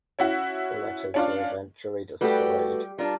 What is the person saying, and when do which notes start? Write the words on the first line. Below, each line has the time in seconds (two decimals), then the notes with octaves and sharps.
The letters were eventually destroyed.
0.19 C#4 E4 F#4
1.14 C#4 D4 F4
2.21 G3 A3 F#4 G4 B4
2.98 G3 D4 F4 A#4